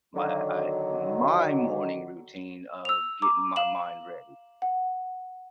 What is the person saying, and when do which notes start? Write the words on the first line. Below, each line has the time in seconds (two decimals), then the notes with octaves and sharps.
my I my morning routine of getting my mind ready,
0.16 D3 D#3 F#3
2.85 E6 F7
3.22 A#5 D6
3.56 F5 E7 F#7
4.62 F#5